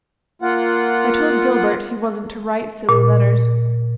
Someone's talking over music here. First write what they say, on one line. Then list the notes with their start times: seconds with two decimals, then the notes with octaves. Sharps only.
I told Gilbert he wasn't to write silly letters.
0.42 A#3 F4 F#5
2.89 A#2